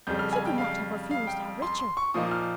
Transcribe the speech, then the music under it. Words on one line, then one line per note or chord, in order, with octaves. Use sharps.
She could not have refused our Richard.
F2 C#3 G3 G6
F6
G#5
G5
F5
F5
G5
C6
C6
C#6
A#2 F3 A#3 D#4 D#6
F6